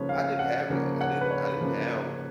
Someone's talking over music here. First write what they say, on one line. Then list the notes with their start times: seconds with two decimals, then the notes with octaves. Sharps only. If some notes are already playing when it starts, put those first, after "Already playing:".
I didn't have that I didn't I didn't have
Already playing: C#3 F3 A#3 C#4 B4 C#5
0.09 F5
0.39 F#5
0.70 C#3 F3 A#3 C#4
1.01 F#5
1.21 B4
1.31 C#5
1.61 C#3 F3 A#3 C#4